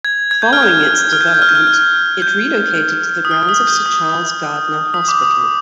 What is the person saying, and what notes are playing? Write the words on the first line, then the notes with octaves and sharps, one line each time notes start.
Following its development, it relocated to the grounds of Sir Charles Gairdner Hospital.
G#6
G#6
G6
F6
G6
F6
G6
F6
G6
F6
G6
F6
F6
G6
D#6
F6
D#6
G6
D#6
D#6
D6
D#6